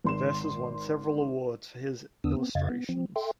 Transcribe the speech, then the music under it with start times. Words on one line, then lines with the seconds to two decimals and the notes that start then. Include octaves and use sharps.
Vess has won several awards for his illustrations.
0.04 G#1 C6 E7
2.24 E2 D3 B3 D4 D#6 E6
2.37 B3 C4
2.55 F2 C#3 D#5 F5 G#6 A6
2.70 B3
2.89 F3 C4
3.16 A4 E5 G5 C6